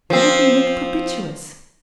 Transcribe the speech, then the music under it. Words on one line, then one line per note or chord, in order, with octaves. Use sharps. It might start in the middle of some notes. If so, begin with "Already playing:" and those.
Everything looked propitious.
F3 C4